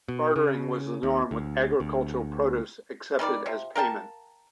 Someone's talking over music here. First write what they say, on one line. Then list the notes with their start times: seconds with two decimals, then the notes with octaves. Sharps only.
Bartering was the norm, with agricultural produce accepted as payment.
0.08 B2
0.36 C#3
1.03 D#2
1.31 D2
1.80 D2
3.19 D#3 G3 F4 D5
3.46 C3 F3
3.75 A#4 F5 G5 A5